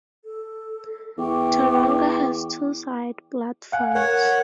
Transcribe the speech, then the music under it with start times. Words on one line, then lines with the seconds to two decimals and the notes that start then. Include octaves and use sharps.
Tooronga has two side platforms.
0.22 A4
1.18 E2 G5 C#6 D6
3.72 F5 F#5 G#5
3.95 A#4 C#5 F#5